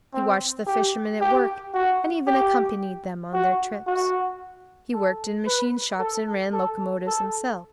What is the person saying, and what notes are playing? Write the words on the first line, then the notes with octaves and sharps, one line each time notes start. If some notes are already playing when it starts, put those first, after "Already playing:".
He watched the fishermen at work and even accompanied them on their trips; he worked in machine-shops and ran locomotives himself.
C4
G4
G4
F#4
G4
F#4
F#4
A4
B4
A4
A4
A4